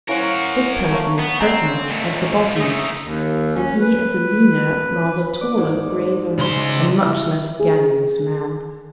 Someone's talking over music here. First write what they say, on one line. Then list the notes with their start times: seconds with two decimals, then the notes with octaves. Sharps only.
This person is spoken of as the botanist, and he is a leaner, rather taller, graver and much less garrulous man.
0.09 C#4 E4 A#4 C5 F5 F#5
0.91 A3 A#3 C#5
1.19 B3
1.40 C4 D5 F#5 G#5 A#5
1.88 C#2 A3
2.56 A3 D#4 G#4 D#6
3.01 D#2
3.54 C#4
3.80 B4
5.41 D5
5.57 G#2
6.39 C#3 C6
7.01 E4
7.60 G#4